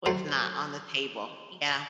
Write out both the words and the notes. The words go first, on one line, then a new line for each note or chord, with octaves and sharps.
Was not on the table. Yeah.
F#3 A3 C5 A5